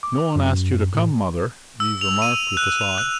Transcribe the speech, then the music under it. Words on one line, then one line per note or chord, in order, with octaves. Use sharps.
"No one asked you to come, mother," Eve remarked with a sigh.
D6
F#2
A2
E6
F7
D#7
F#6
F7
F#6